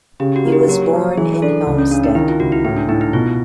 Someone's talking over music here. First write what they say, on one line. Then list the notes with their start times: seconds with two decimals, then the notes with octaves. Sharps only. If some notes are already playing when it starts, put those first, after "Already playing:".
He was born in Helmstedt.
0.20 C#3 G4
0.36 F#4
0.45 A#3
0.52 G4
0.68 F#3 F#4
0.93 F#3
1.17 E3 G#4
1.42 D4 A4
1.67 C#2
1.78 C#4
1.91 C#3 D4
2.03 D#4
2.15 D#3 E4
2.28 F4
2.40 C#2 F#4
2.52 E4
2.65 A2 E4
2.77 D4
2.88 A2 D#4
3.01 E4
3.13 B2 F4